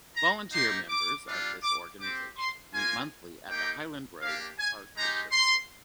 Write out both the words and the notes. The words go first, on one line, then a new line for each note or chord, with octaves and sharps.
Volunteer members of this organization meet monthly at the Highland Road Park Observatory.
A#5
A#3 D#4 G4 C6
D6
G3 D4 F4
D6
C4 G4 D6
C6
A#3 F4 G#5
A#3 D#4 G4 G5
A#3 D4 G4 F5
G#5
G#3 D#4 G4 A#5
C6